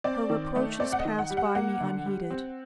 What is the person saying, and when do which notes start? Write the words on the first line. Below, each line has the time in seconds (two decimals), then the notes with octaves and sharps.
Her reproaches passed by me unheeded.
0.04 C4 D5
0.30 D#3
0.56 A3
0.80 C4 D5
0.92 F#5
0.99 D#5
1.05 D#3
1.19 F#5
1.30 G3
1.37 F#5
1.55 A#3 F#5
1.81 D3
2.06 G3
2.30 C4